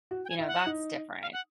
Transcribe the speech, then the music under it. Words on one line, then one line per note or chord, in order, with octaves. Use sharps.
You know, that's different.
F#4
G5
G#5
E4
F#5
D#4
F5
F#5